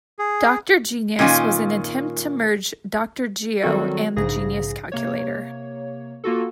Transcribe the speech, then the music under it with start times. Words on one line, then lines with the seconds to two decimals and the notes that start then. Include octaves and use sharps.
Doctor Genius was an attempt to merge Doctor Geo and the Genius calculator.
0.19 G#4
1.19 A#2 D#3 C#4 F4
3.63 D#3 F#3 G3 C4 F#4 A4
4.16 A#1 G#2 C#3 G#4 A#6
4.92 C3 A#3 C#5
6.24 A#3 F4 F#4 A4